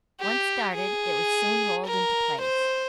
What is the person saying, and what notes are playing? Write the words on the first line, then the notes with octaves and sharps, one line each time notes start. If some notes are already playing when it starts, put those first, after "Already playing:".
Once started, it was soon rolled into place.
G4
G#4
A#4
C5